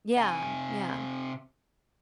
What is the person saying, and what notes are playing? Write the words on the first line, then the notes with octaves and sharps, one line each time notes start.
Yeah, yeah.
C3 G#5